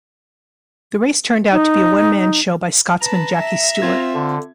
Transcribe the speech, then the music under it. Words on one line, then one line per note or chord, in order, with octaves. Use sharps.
The race turned out to be a one-man show by Scotsman Jackie Stewart.
D#4
B4 A5 A#5
E5
C4 F4 G#6
D3